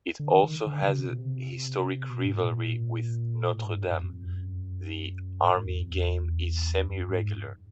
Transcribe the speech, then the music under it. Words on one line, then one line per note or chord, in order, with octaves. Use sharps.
It also has a historic rivalry with Notre Dame; the Army game is semi-regular.
D3
D#3
D#3
D3
C#3
C3
B2
C3
B2
G#2
A#2
A2
G#2
G2
F#2
F2
F#2
G#2
G#2
E2
F2
E2
F#2
G#2